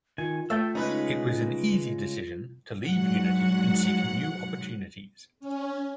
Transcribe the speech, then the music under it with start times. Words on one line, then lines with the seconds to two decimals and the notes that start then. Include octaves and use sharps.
It was an easy decision to leave Unity and seek new opportunities.
0.18 D#3 F4 G#5
0.50 A3 G5 A5 E6
0.75 C#3 G#3 C#4 D#4 B4
2.87 G#2 F#3 F#5
5.40 C#4